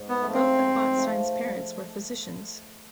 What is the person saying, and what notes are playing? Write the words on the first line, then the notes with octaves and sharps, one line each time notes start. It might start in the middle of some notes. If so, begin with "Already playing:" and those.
Both of Botstein's parents were physicians.
Already playing: G#2
B3
F3 A3
C4
G#2
F3 A3